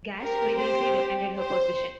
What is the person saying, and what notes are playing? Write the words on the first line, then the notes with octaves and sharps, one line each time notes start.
Gash vigorously defended her position.
C4 G4 A#4
C5
C5